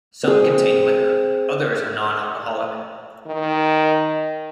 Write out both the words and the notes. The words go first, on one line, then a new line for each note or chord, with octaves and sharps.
Some contain liquor, others are non-alcoholic.
C4 G#4
D#3